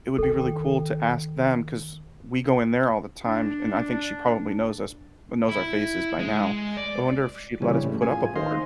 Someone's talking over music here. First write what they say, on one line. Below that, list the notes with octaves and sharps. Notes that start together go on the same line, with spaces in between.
it would be really cool to ask them 'cause we go in there all the time, and I think she probably knows us knows our faces by now. I wonder if she'd let us put up a board
D#3 A4 G5
D4
E4
G#3
D5
C#3 E3 G3 C#4
A2
F4 G#4 G#5
D#3 C5 D#5 F5 C6